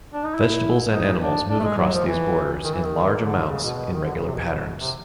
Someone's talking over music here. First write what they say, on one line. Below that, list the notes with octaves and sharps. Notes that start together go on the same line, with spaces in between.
Vegetables and animals move across these borders in large amounts in regular patterns.
D4
D#4
E4
D#4
D4
D4
A3
G#3
F#3
F3
E3
D#3
E3
D#3
D3
C#3
B2
D#3
D3
C#3
C3
B2
C3